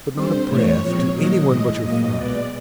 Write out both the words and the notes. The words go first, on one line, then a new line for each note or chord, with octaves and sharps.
'But not a breath to anyone but your father.
D3 G3 C4 C5
A2 E3 A3 C#5
A#2 F3 G#3 C4
D#3 F#3 A#3 D#5
A2 E3 G#3 D#5
A#2 F#3 A#3
B2 G#3 B3 D5